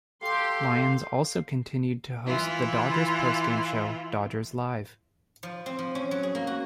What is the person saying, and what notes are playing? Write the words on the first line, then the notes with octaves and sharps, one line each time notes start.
Lyons also continued to host the Dodgers' post-game show "Dodgers Live".
G4 A4 F5 C6
E3 E4 F4
F3
C4
F3
C#4
F#3
G#4
A#3
F#4